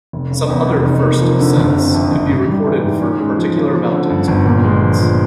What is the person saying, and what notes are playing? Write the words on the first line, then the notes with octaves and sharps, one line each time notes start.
Some other "first ascents" could be recorded for particular mountains or routes.
F1
C#3
E2
F1
D#4
A#3
F3
D3
F#1
C3
F2
F#1
G#2
G3
E3
G#2
C#4
G#3
F3
C#3
F3
D3
G2
G1
A#2
G#3
F3
A#2